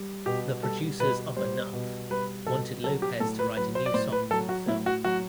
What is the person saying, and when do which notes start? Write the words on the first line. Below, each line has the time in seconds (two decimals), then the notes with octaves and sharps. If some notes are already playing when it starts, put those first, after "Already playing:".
The producers of "Enough" wanted Lopez to write a new song for the film.
Already playing: G3
0.26 B2 G4
0.63 G3 A4
1.00 B2 B4
1.37 G3 C5
1.73 B2
2.10 G3 B4
2.47 B2 A4
2.84 F#3 A4
3.02 G4
3.20 A2 A4
3.39 B4
3.57 F#3 B4
3.75 C5
3.86 D5
3.94 A2 C5
4.12 B4
4.31 F#3 A4
4.49 F#4
4.67 A2 E4
4.86 F#4
5.04 F#3 F#4